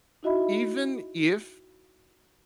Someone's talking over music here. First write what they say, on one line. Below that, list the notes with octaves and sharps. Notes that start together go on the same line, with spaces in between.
even if
D#4 E4 F#4 D#5 E5 B5